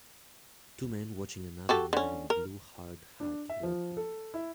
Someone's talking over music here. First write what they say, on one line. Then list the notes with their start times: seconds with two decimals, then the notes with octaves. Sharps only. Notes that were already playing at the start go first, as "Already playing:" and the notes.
Two men watching another man in a blue hard hat working.
1.69 F#4 G4 A4
1.93 D3 C#4
2.30 A#4
3.20 D4
3.49 E5
3.63 F3
3.97 A4
4.34 E4